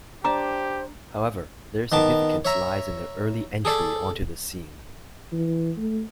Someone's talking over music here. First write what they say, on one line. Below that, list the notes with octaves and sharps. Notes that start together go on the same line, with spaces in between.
However, their significance lies in their early entry onto the scene.
D4 G4 C5 A5 A#5 D6
D#3 B3 A5 D6
C#5 E5 A#5
G#4 A4 D5
E3
A3